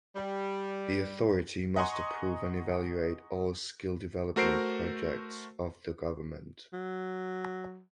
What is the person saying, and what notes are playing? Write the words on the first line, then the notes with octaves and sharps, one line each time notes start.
The authority must approve and evaluate all skill development projects of the government.
G3
D#5 F#5 G#5 A#5 C6 C#6
A3 F#4 A#4 C5 C7 D7
F#3